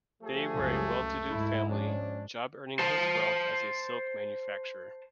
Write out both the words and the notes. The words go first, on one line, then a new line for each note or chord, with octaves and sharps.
They were a well-to-do family, Job earning his wealth as a silk manufacturer.
F3 A3 G4 G#4
C#2 F#2
G#2 G#3 E4
F3 C#4 D4
C5 A5